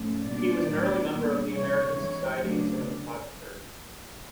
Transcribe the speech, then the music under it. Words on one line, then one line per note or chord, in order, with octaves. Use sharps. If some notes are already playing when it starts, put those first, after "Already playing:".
He was an early member of the American Society of Cinematographers.
Already playing: G#2 F3 A3 C#4
B2 G3 A#3 D4 D5
A2 F#3 B3 D4
A#2 G3 B3 D4
C3 E3 G3 C4 C#5
G2 E3 G#3
C#3 F#3 A3 D4